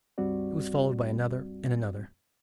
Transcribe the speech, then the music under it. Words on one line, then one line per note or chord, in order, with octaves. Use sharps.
It was followed by another and another.
C#2 G2 G3 C4 F#4 D5